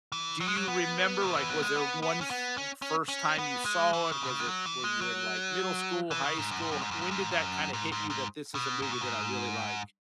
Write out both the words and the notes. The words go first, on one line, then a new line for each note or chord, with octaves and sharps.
do you remember, like, was there one f first time you saw it? Was it were you in like middle school, high school? H when did that kinda hit you that this is a movie that I really like?
E3
F#3
G#3
F#3
B3
C#3
E3
F#3
G#3
B3
B3
C#4
B3
C#4
C#4
C#4
B3
G#3
E3
C#3
B2
C#3
G#3
F#3
E3
G#3
F#3
E3
C#3
G#2
F#2
G#2
F#2
G#2
F#2
G#2
F#2
G#2
F#2
G#2
G#2
G#2
B2
G#2
B2
G#2